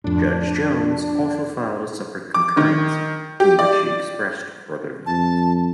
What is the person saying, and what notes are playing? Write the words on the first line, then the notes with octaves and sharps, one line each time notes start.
Judge Jones also filed a separate concurrence, in which she expressed further views.
F2 A2 D4
D6
D#3
G4
D5
F2 A5